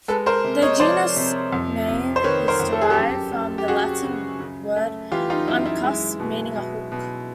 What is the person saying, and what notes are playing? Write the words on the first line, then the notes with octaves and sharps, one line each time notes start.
The genus name is derived from the Latin word "uncus", meaning "a hook".
G#3 A4 B4
A#4 C5
C3
C#5 D#5
F3 C5 D5
C3
F2
C3
C5
D#3 B4 C#5
A#4 C5
F2
A4
G#4
G4 A4
F#2
F#2
G4
F#2 F#4 G#4
C#3
C#3
A3
E3 F4 G4
D#4 F4
F#2 E4
E4
G#3
B2
B2
B2